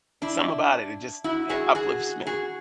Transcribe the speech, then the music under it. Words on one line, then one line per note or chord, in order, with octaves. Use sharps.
It's something about it, it just, eh, uplifts me.
D4 E4
E4 F#4
F#4 G#4
F#4 G#4
F#4 G#4